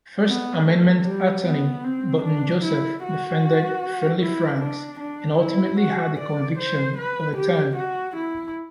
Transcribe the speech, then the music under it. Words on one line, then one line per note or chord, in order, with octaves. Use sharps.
First amendment attorney Burton Joseph defended "Friendly Frank's" and ultimately had the conviction overturned.
B3
A3
G3
B3
C4
D4
E4
F#4
E4
D4
D4
E4
F#4
D5
C5
B4
G4
F#4
E4